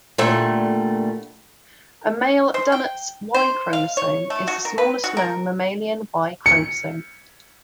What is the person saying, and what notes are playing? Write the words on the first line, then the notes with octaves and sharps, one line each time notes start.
A male dunnart's Y chromosome is the smallest known mammalian Y chromosome.
A#2 D3 G3 A3
C5
G5
C5
F5
C#5
A3
F#4
A#4
B4
F#4
A#4
C#7